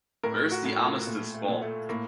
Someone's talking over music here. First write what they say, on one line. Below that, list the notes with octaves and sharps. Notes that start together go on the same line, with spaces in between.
Where's the Armistice Ball?
A2 A#4
F#4
A2
F4
A#2 A3
A3
A#2
A3
A2 A#3